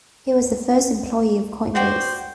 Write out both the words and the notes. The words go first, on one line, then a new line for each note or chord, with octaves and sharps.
He was the first employee of Coinbase.
F#4 C5 D5 G5